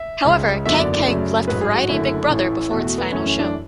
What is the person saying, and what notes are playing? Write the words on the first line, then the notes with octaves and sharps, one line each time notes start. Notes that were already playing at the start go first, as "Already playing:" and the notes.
However, Kang Kang left "Variety Big Brother" before its final show.
Already playing: E5
C#2 C#3 G#3
F#1 E2 D3 F#3 E5
D5
D5
F#2 C#3 F#3 A3
A1 G#2 F#3 A3 B4
G#4
F#4
F#1 F#2 D3 A3 E4
A1 A2 E3 A3
E2 B2 A3 F#4
F#4
B3
F#2 E3 A3 C#4
C#4
D4